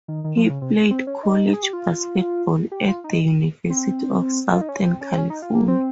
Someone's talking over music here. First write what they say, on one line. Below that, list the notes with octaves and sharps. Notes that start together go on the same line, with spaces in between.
He played college basketball at the University of Southern California.
D#3
D#3
F3
C#3
C3
C4
C#4
D#4
G#4
G4
F4
G4
F4
D#4
C4
F4
D#4
C#4
C4
C#4
C4
C#4
D#4
F4
A#3
C4